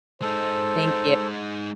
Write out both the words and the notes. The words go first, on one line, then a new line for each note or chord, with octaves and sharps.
Thank you.
G#3 D#4 A4 C5